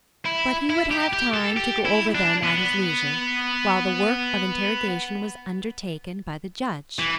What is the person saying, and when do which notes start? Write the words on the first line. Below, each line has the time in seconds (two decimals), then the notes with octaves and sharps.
But he would have time to go over them at his leisure, while the work of interrogation was undertaken by the Judge.
0.26 E4
0.70 E4
0.91 G4
1.13 G4
1.34 A4
1.57 G4
1.86 E4
2.15 D4
2.43 B3
6.99 E3